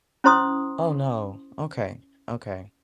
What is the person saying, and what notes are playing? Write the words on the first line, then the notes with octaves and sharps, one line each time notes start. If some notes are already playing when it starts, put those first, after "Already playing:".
Oh, no. Okay, okay.
C#4 E4 C5 C6 D#6